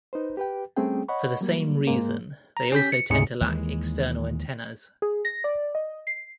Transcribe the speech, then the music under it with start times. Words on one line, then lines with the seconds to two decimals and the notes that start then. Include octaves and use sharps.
For the same reason, they also tend to lack external antennas.
0.13 D#4 B4 C5
0.37 G4 B4 G5
0.77 G3 A3 C4 C#4 G#4 G5
1.08 C#5 D#5 F#5 B5 C#6
1.41 F#3 G3 A#3
1.87 G#2 G#3 A#3
2.57 A#5
2.72 C#4 G4 G6 B6
2.92 C#7
3.10 D2 G#2 C3 G#3 G#4 C#7
3.41 D#2 E3 G3 G#3
5.02 G#4
5.25 A#6
5.44 D5
5.75 D#5
6.07 C7